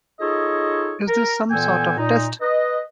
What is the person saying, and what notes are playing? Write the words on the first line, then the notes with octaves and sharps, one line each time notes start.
Is this some sort of test?
D#4 F4 G#4 A4 C#5 D#5
A#4
A#2 E3 B3 A4 G5 G#5
A#2 D#4
B4 D#5